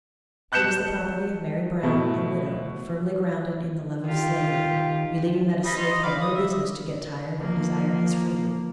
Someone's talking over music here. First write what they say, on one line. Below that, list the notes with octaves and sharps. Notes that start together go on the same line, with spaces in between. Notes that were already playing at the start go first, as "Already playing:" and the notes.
He was the property of Mary Brown, a widow, firmly grounded in the love of Slavery; believing that a slave had no business to get tired or desire his freedom.
A5 F#6 G6 C#7 E7
B2 A3 E4
D#3 F4 G4
G3 D#5 B5
D#4 C5
D#5
D5 F5 B5
D#6
E5
F3 A#3